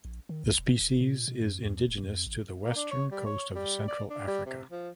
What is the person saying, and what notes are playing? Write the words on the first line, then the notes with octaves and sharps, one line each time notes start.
The species is indigenous to the western coast of Central Africa.
A#1
D#3
B1
E1
E1
A#2
B2
F#2
E2
D#1
F2
A1
A#3
D4
C#5
G3
C#5
G3
D5
D4
G3
C3
F3